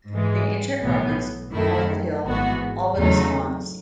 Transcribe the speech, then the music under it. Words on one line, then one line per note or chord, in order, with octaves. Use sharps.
The ancient Romans called the hill Albanus Mons.
G#2 E3 G#3
B1 A2 E3 B3
F#2 D#3 A3 E4
G#1 G#2 E3 B3 F#4
E2 C#3 F#3 A3 D#4